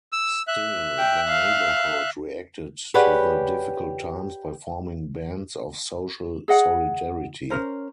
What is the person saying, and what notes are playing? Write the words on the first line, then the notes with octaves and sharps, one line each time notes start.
Still, the neighbourhood reacted to the difficult times by forming bands of social solidarity.
E6
E5 F#6
G5
F5
G4 G#4 B4 C#5 D5 F#5
G#4 D#5 F#5
C#4 D#4 A#4 C5